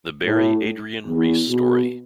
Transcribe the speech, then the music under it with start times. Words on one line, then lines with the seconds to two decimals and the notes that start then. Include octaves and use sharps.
The Barry Adrian Reese Story.
0.24 A2
1.07 E2
1.48 B2